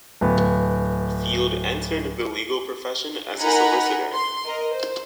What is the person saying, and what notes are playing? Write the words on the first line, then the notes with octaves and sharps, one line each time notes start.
Field entered the legal profession as a solicitor.
D1 B3
D#4 A#4 F#5 G#5 A#5 B5
C6
A#4 D#5
C5